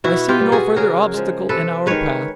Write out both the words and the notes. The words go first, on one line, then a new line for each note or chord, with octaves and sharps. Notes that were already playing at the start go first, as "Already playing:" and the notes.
I see no further obstacle in our path.
B2 E4 F#4
F4 G4
G3 B3
F#4 G#4
C#3 G#4 A#4
F3 G#3
C3 A4 B4
D#3 G#3 B4 C#5